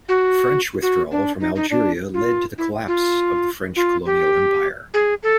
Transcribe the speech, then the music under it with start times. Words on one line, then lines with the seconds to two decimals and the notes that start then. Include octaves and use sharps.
French withdrawal from Algeria led to the collapse of the French colonial empire.
0.09 F#4
0.82 F#4
1.12 D4
1.40 D#4
1.56 D#4
1.70 D4
2.14 F4
2.58 E4
2.88 F4
3.76 F4
4.06 G4
4.94 G#4
5.23 A4